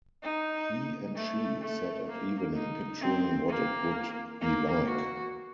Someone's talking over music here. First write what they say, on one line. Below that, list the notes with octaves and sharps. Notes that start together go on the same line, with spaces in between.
He and she sat at evening picturing what it would be like.
D#4
A3
A3
A#3
D#4
C4
A#3
A#3
F#4